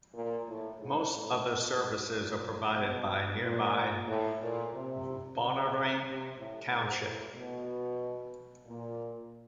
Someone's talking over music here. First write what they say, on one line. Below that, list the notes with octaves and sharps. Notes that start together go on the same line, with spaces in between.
Most other services are provided by nearby Balnarring township.
A#2
A2
G#2
A2
B2
A#2
B2
A#2
A2
A#2
C3
C#3
C3
A2
G#2
A2
B2
A#2